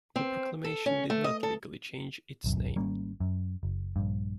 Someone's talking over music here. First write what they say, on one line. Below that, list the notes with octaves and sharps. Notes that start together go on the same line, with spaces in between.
The proclamation did not legally change its name.
C4
A4
C#4
A3
D#5
A4
D1 B1 F#2
G#1 G3 A#3 C#4
F#2
F#1
A#1 G2